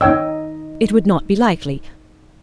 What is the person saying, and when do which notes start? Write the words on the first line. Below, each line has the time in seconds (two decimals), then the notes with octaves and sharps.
It would not be likely.
0.01 D#4 C#5 D#5 G5 E6